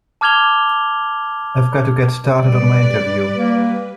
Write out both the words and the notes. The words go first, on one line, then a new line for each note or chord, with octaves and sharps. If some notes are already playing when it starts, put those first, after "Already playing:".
I've got to get started on my interview.
A5 D6 F6 G#6 F7 G7
G3 B4 D5
A#3